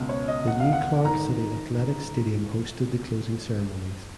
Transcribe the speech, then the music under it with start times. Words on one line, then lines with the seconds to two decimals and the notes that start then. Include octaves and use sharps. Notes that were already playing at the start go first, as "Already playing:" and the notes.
The New Clark City Athletics Stadium hosted the closing ceremonies.
Already playing: C#2 B2
0.09 C#5
0.28 D#5
0.48 F#5
0.60 F5
0.73 F#5
1.05 G#2 D#3 A#5